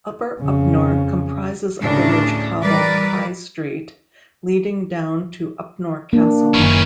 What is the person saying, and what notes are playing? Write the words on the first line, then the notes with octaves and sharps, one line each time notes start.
Upper Upnor comprises a village cobbled high street leading down to Upnor Castle.
F2 C#3
D2 A2 C#3 C#4 D4 A#4
E3 G3 A#4 B4 D5
A#3 D4
F#1 D#3 E3 C#4